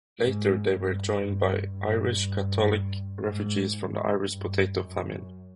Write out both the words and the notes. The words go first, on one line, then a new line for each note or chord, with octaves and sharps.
Later they were joined by Irish Catholic refugees from the Irish Potato Famine.
G#2
G2
G2
G2
G#2
G#2
G2
F#2